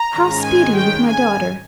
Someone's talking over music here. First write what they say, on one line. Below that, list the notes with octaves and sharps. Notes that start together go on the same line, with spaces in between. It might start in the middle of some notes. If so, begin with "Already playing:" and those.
"How speed you with my daughter?"
Already playing: A#5
G#2 D#3 G#3 C#4
G#5
G5
G#5